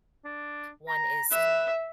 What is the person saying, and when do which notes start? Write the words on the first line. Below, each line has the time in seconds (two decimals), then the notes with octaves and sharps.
one is
0.25 D4
0.88 A#5
1.31 B4 E5